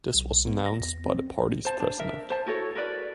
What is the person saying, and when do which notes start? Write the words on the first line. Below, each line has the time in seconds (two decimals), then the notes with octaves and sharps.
This was announced by the parties president.
0.14 B1
0.47 B3
0.66 A#6
0.80 E2
1.06 C4
1.65 C5 A5
1.80 D4
1.99 D4 A#4 E5
2.30 C5 A5
2.46 E4 F#4 A4 C#5
2.75 F#4 A#4 B4 D5